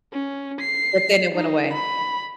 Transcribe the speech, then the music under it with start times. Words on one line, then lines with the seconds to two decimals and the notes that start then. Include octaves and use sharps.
but, then it went away.
0.13 C#4
0.61 C7
1.35 D#4
1.73 B5